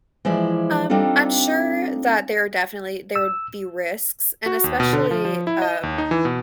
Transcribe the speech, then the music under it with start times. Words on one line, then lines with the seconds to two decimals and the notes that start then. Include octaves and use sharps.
Um, I'm sure that there are definitely there would be risks, and especially, um,
0.25 E3 F3 G#3 E4 D5
0.90 G3 C4 D4 D#4 F4 A4
3.16 E6
4.46 F#4
4.64 D#2
4.80 B2
4.93 D3
5.11 F3
5.25 F3
5.47 E4
5.62 D#5
5.83 D#2
5.98 D#4
6.11 E3
6.25 B2